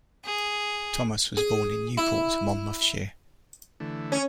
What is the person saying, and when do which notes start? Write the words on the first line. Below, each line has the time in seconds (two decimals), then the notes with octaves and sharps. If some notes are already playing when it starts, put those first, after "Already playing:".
Thomas was born in Newport, Monmouthshire.
0.25 G#4
1.37 G#4
1.97 E4
3.80 D3 E3 A3
4.12 C#4